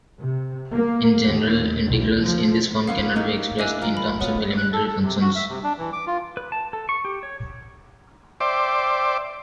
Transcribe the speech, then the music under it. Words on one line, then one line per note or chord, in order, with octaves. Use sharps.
In general, integrals in this form cannot be expressed in terms of elementary functions.
C3
A#3
D#2
B1
F3
A#3 B3 C#4 F4 F5
C#4 D#4 G4
D4 E4 D#5 G#5
F4 A#4
B5
F#3 B3 F4
F#6
A4
A4
C3
F#4
E5
C3
D4
E3
D6
F4
B4
A5
A4
C#6
G4
C#5
C5 D5 E5 G5 C6 D6